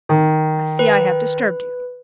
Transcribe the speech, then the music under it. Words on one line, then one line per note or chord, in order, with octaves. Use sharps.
I see I have disturbed you.
D#3
B4